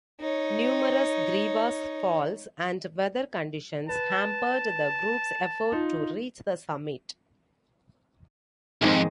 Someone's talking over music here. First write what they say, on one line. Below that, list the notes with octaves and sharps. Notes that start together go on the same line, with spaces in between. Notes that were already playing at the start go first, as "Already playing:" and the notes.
Numerous crevasse falls and weather conditions hampered the group's efforts to reach the summit.
D#4 C#5
B4 A5
D#4 F4
C2 F2 G#2 D#3 G#3